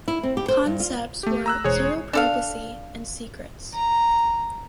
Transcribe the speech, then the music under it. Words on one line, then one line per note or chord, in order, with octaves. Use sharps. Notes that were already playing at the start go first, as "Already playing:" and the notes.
Concepts were "Zero privacy" and secrets.
E4
C4
G4
C5
G2
F4
A3 G4
A#5 E6 F#6
E1 G#4 C5 C#5
D4 A4 F5
A#5